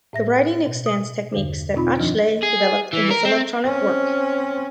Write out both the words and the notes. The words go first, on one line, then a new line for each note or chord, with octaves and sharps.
The writing extends techniques that Atchley developed in his electronic work.
A2 E5 A#6
B2
D#6
E2 G2 D3
B2 C4 D#4 F4 B5
F#2 D#3 F3 D4 D#4
G#4
E3
A#4
C4
C4 C#4